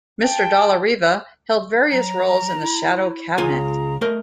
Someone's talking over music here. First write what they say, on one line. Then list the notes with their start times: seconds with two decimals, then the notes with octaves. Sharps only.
Mr Dalla-Riva held various roles in the Shadow Cabinet.
0.22 G5 A5
1.91 F#3 A#5
2.60 E4
3.38 C#2 F4 G#4 G#5 A#5
4.01 A3 A#4 D#5